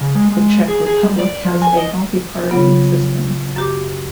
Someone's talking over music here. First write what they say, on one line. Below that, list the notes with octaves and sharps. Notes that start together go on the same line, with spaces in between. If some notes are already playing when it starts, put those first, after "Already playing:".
The Czech Republic has a multi-party system.
C#3
G#3
G#3
G#4
G#4
G3
D5
F3
G#5
D#5
C#3 F#3 B3 F4
F#2 G4 D6